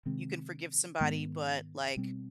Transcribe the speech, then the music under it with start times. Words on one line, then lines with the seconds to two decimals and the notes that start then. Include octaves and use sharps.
You can forgive somebody, but, like,
0.06 C3 D#3 G#3 C4
1.01 G#2 D#3 G#3 B3
1.97 B2 G3 C4